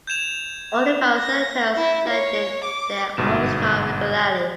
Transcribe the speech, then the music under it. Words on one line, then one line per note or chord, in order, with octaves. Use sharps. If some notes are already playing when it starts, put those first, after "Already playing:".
All involved Senators, ended their office time regularly.
G6 G#6 E7 F7
A#6
E4
C#5
D6
G1 G#2 B2 E7